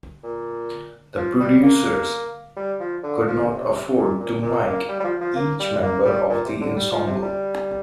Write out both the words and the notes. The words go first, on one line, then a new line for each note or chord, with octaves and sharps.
The producers could not afford to "mike" each member of the ensemble.
A#2
F3
G3
A#3
G3
F3
D3
F3
D3
C3
A#2
A#2
A#2
A#3
G3
G3
F3
F3
A#3
G3
A#3
G3
A#2
C3
D3
G3
F3
C3
G3